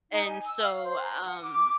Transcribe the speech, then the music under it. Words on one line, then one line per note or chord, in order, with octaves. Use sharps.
And so, um,
D#4
G#5
E6
F5
C5
A#5
F#5
D6